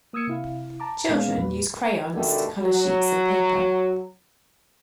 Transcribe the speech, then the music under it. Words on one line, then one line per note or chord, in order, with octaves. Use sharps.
Children use crayons to color sheets of paper.
A#3 D#6 E6 G#6 C#7
C3 E4 F5
A5 A#5 D6
A#2 G#3 B3 C#4 F5
E2 A#2 B4
B2 D3 D#3 G3 A3
F#3